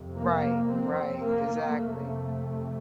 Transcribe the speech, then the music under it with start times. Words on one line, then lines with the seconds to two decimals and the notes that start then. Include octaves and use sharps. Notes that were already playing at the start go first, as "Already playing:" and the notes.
Right, right, exactly.
Already playing: F2 C3
0.16 A#3
0.68 C4
1.19 A#3
1.71 F2 C3 A3